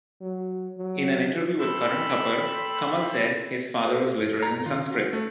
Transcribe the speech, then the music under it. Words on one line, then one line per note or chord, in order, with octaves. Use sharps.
In an interview with Karan Thapar, Kamal said his father was literate in Sanskrit.
F#3
F#3
C4 A4 B5
F#4 A4 C5
G2
A#5
C3 D#3 F4
C#4 F#4
A3